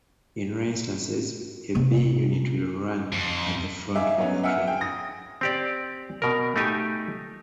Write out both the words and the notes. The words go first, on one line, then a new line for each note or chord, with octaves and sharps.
In rare instances, a B unit will run at the front of a train.
C3 C4
F2
D#4 G#4 E5 F5 D6
F#3 B3 C#4
E5 F#5 G#5 E6 F6
G#4 G5
D#6 A#6
C4 G4 D5
B2 A#4
A3 D#4 G4 G#5